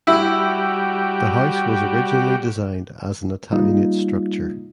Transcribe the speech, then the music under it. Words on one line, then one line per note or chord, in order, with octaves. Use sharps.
The house was originally designed as an Italianate structure.
G3 E4 F#4 G4
G3 A#3 D#4 F4